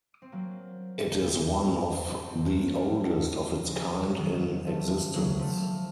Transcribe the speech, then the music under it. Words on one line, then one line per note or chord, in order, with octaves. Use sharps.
It is one of the oldest of its kind in existence.
C4
F#3 A#3
A3 C4
F#3 A#3
F3 A3
C#3 F3
D#3 F#3
F3 A3
F#3 A#3
F3 A3